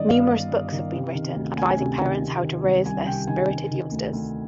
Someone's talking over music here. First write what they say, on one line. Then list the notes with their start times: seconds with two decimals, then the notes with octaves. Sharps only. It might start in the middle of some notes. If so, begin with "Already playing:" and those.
Numerous books have been written advising parents how to raise their spirited youngsters.
Already playing: G2 D#3 D5 D#5
0.08 G1 F5
0.30 G1
0.51 G2
0.72 D#3
0.93 C3
1.15 D#3
1.36 D2
1.57 D2 G#5
1.79 C3
2.00 D#3
2.22 C3
2.43 D#3
2.64 C2
2.86 C2 G#5
3.07 C3 G5
3.27 D#3 G#5
3.49 C3
3.71 D#3
3.92 D2
4.13 D2